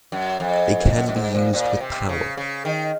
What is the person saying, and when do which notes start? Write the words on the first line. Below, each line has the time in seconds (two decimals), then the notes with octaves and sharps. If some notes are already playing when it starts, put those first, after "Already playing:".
They can be used with power.
0.12 F#2
0.40 F2
0.96 F#2
1.08 F#2
1.16 G#2
1.35 A#2
1.53 A#2
1.80 C3
2.09 C#3
2.37 C#3
2.65 D#3